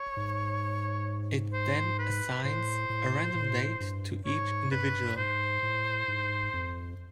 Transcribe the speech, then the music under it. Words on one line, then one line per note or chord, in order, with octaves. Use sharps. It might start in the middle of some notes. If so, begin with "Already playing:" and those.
It then assigns a random date to each individual.
Already playing: C#5
G#2
C5
B4
A2 C5
A2
A2
G2
G#2 C#5
G2 B4
G#2 C5
A2
G#2
F2